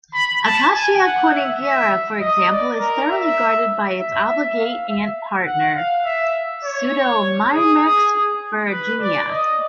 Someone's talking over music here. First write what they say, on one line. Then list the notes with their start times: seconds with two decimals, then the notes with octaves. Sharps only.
"Acacia cornigera", for example, is thoroughly guarded by its obligate ant partner, "Pseudomyrmex ferruginea".
0.14 B5
0.44 A5
0.74 G#5
1.03 F#5
1.32 E5
2.21 D#5
2.51 D5
2.80 A#4
3.10 E5
3.98 E5
4.28 E5
4.57 F5
4.87 E5
5.46 F#5
5.75 F5
6.05 E5
6.64 C#5
7.53 G#4
7.82 G#4
8.12 G#4
8.71 B4
9.01 D5
9.30 D#5